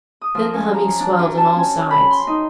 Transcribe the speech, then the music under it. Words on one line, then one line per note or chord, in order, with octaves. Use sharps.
Then the humming swelled on all sides.
D#6
F3
C#4
A#5
D4
F#2
A5
C#4
B5
C6
D#4